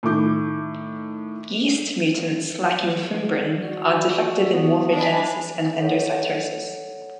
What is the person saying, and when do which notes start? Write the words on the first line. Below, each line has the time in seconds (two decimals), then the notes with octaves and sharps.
Yeast mutants lacking fimbrin are defective in morphogenesis and endocytosis.
0.03 A2 D#3 A3 D6 G6
3.60 F#4 D5
4.53 B3
4.95 D4 D#5 G#5 B5
5.80 A4 C#5 F#5